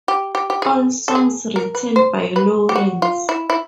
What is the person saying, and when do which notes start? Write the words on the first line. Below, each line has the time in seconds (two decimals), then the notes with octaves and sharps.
All songs written by Lawrence.
0.08 G4
0.35 G4
0.50 G4
0.62 G#4
1.08 A4
1.15 G#4
1.56 A#4
1.75 B4
1.96 C5
2.36 B4
2.69 G4
2.76 F#4
3.02 F4
3.29 E4
3.50 E4